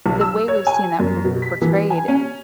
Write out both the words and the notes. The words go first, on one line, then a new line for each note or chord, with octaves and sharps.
the way we've seen that por portrayed,
B1
E6
C#5
G#5
F#2
B2
B6
E3
G#5
C#4